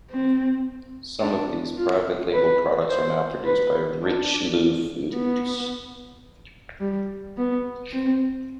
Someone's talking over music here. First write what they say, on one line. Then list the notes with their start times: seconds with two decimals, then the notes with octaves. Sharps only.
Some of these private label products are now produced by Richelieu Foods.
0.10 C4
1.21 D4
1.78 F4
2.33 B4
2.90 C5
3.45 B4
4.02 D4
5.13 B3
6.80 G3
7.38 B3
7.93 C4